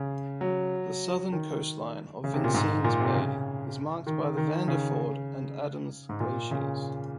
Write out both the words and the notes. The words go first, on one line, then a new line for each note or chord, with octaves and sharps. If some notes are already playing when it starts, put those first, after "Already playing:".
The southern coastline of Vincennes Bay is marked by the Vanderford and Adams Glaciers.
Already playing: C#3
F#3
D#3
C#3
C3
A#2
G#2
A#2
C3
C#3
D#3
D#3
C#3
G#2
A#2
C#3